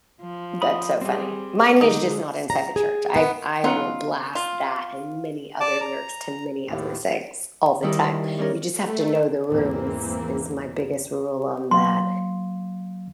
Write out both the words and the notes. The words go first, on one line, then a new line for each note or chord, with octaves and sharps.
That's so funny, mine is just not inside the church. I I will blast that, and many other lyrics to many other things all the time, you just have to know the room is is my biggest rule on that.
F3
B5 D#6
G3 C4 G#4
D3 G#3 D4 D#4
A#5
G#4
B3
F#3 B3 C#4 D#4 F4 F#5
F4
D5 A5 D6
A#5
D#2 A2
D#3 G3 D#4 E4
G3 C#4 A#4
A3
E2 G#2 E3 A#3 C4
F#3 A#3 F5 C6